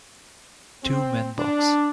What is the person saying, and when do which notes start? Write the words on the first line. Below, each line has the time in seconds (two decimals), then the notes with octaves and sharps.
Two men box.
0.83 C4
1.38 D4